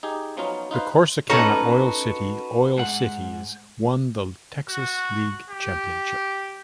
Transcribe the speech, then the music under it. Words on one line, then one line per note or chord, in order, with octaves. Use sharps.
The Corsicana Oil City Oil Citys won the Texas League championship.
D#4 G4 G#4
F3 F#3 B3 C#4 D#4 F4
D#4 F4 B4 C5
C#4 D#4 F#4 A4 B4 A#5
G#2 F#5
F#4
G4